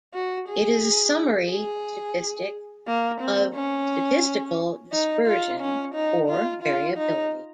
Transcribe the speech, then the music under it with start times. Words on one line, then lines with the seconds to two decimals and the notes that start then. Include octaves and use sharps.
It is a summary statistic of statistical dispersion or variability.
0.14 F#4
0.49 G#4
1.51 G#4
2.87 A#3
3.21 C4
3.55 C#4
4.93 D#4
5.27 F4
5.61 C#4
5.95 D#4
6.29 F4
6.63 F4
6.98 D#4